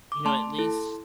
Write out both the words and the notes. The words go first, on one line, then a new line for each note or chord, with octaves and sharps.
you know, at least
D6
A3 A5 C6
E4 A4